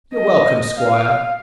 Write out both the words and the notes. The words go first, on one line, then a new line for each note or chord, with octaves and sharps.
"You're welcome, squire."
D#5
F5